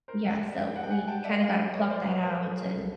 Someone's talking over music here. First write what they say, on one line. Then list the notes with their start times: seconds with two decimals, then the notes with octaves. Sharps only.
yeah, so we kinda gotta pluck that out and
0.08 A#4 C5
0.25 G3 E5 F#5
0.58 F5 G5
0.76 F#5
0.83 G5
0.90 F#5 G#5
1.07 G5 A5
1.24 D5 E5
1.41 D#5 F5
1.56 F#3
1.74 C#5 D#5
1.90 C5 D5
2.06 B4 C#5
2.23 A#4 C5
2.40 A4 B4
2.56 G#4 A#4
2.73 A4 B4